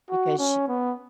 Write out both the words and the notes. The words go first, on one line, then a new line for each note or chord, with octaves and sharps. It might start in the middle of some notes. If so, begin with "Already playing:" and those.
because sh
F#4
C#4
B3